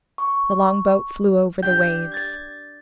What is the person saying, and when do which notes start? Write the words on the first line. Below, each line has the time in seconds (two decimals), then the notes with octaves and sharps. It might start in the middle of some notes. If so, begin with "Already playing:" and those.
The longboat flew over the waves.
0.18 C#6
1.63 D4 G4 G5 G6
2.12 G#6 A6